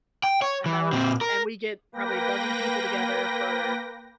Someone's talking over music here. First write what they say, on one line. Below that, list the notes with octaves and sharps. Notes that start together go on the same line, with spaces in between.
And that was and we get probably a dozen people together for
G5
C#5
E3
A#2 C4
A#4
A#3 B4 G5 A#6